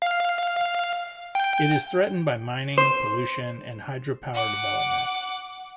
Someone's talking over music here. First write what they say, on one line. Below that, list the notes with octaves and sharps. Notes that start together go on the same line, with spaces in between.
It is threatened by mining, pollution, and hydro-power development.
F5
G5
C5
F#5 D6